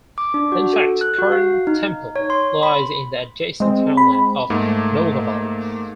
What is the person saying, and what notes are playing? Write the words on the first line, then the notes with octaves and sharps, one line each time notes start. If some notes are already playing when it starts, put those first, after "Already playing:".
In fact Carntemple lies in the adjacent townland of Noughaval.
D6
D4
F#4
A4
F#6
F#4
F5
D#4
C#5
C6
B5
G#3 C4
B5
G#2 A3 A#3